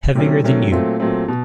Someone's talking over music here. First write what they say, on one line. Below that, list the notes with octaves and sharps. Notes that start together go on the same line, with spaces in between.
Heavier than you.
C3 D#3 F#3 A3 C#4
C3 D#3 F#3 A3 C#4
A#2 F#3 A3 C4
A#2 F#3 A3 C4
B2